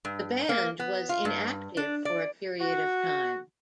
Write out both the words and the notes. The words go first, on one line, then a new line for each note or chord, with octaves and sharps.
The band was inactive for a period of time.
G2
A#3
B3
F4
G2
D4
D5
F#4